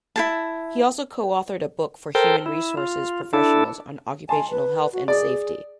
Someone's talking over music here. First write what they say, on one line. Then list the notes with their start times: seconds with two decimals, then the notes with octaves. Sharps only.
He also co-authored a book for human resources professionals on occupational health and safety.
0.16 E4 G#4 A5
2.15 A4 A#4 C5 G5
2.46 E4
2.77 F4
3.33 D4 E4 A4
4.29 G#5 A5 C6
4.51 B4
4.93 F#4
5.08 G#4 D5